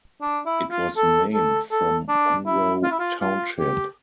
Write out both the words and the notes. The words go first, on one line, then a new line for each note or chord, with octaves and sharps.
It was named from Monroe Township.
D4
E4
F4
A4
A4
A4
D4
E4
F4
E4
F4
F4
G4